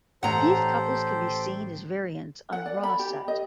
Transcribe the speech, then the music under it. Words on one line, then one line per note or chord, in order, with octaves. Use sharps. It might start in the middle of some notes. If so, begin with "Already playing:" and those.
These couples can be seen as variants on Ra-Set.
A1 G4 A4 C5 F#5 A#5 G#6
F#5
D5
B5
G4
D#5